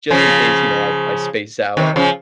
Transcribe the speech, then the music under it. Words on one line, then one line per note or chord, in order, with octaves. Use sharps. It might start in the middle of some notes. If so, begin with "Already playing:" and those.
just in case, you know, I I space out and,
C#3 F3
C3 D#3
C#3 F3